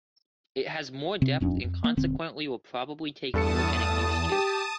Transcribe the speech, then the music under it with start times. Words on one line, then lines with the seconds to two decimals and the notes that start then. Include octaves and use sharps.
It has more depth and consequently will probably take more getting used to.
1.22 C3 C4
1.40 D#1 F2 C#4 D4
1.64 F2
1.84 A#3
1.97 D#1 D3 C4
3.34 E2 G2 A4 A5 D#6 C#7
4.32 G4